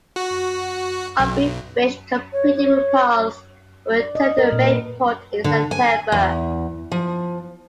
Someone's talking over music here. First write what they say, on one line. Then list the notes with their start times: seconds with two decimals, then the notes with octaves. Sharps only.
"Aubrey Fitch" completed repalrs and returned to Mayport in September.
0.16 F#4
1.19 B1
2.33 C#5
2.56 C#5
4.00 D5
4.15 D#5
4.38 A#4
4.52 A#2
4.65 B4
5.44 D3
5.71 G#5
6.12 E2
6.92 F3